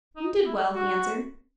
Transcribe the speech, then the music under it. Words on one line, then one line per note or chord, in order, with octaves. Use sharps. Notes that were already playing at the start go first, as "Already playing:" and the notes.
"We did well," he answered.
D#4
E4
F#4